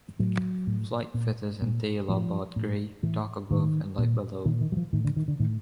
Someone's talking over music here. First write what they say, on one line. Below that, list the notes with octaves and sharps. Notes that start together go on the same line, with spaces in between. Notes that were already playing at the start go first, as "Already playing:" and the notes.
Flight feathers and tail are barred grey, dark above and light below.
A2 F#3
A2
A#2
A#2
A2 F3
A2
A2 E3
A2 D#3
A#2
A#2 D#3
D#3
F#3
F3
A2 D#3
D3
D#3
D3
A2 D#3